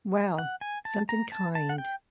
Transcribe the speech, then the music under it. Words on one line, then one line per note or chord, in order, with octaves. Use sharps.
Well, something kind?
F#5
G#5
A5
A#5
A5
A5
F#5
G5